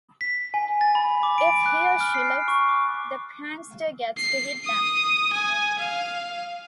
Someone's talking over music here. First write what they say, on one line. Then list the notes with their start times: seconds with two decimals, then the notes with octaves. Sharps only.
If he or she looks, the prankster gets to hit them.
0.21 B6
0.54 G#5
0.81 A6
0.95 B5
1.23 D6
1.38 D7
1.66 F#6
2.00 F6
2.14 C7
2.48 C#6
2.69 D6
4.18 C7
4.65 D#6
5.33 G#5
5.79 F5